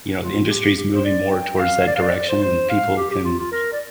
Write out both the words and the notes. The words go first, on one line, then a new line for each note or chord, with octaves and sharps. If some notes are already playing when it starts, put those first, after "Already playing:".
you know, the industry's moving more towards that direction, and people can
F4
G4
G4
C5
D5
G5
F5
D5
F5
D5
D5
C5
C5
F5
G4
G4
F4
F4
A#4
D5